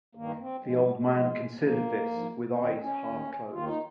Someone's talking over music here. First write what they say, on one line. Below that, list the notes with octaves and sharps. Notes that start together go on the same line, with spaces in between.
The old man considered this with eyes half closed.
G2 D#3 A#3
C4
G#2 F3 G#3
G3
G#3
G#2 F3
G#2 F3 A#3
G#2 F3
D#2 D#3 C4
C#4
D#2 D#3
D#2 D#3 F4
D#4